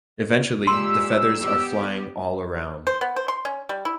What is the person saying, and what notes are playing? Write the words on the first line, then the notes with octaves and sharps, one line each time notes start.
Eventually, the feathers are flying all around.
A#2 G#3 G4 C6 E6
G3 B3 G4
C5
B3
C5
C6
C#4
G3
E4